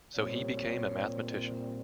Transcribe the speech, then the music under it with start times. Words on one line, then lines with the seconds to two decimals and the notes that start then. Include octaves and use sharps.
So he became a mathematician.
0.17 A#2 G3 C4 C#5